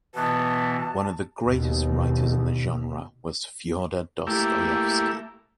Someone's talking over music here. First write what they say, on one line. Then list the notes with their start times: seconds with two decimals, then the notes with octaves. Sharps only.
One of the greatest writers of the genre was Fyodor Dostoyevsky.
0.15 B2 E3 B3 A5
1.45 D#2 B2
4.27 A3 A#3 E4 G4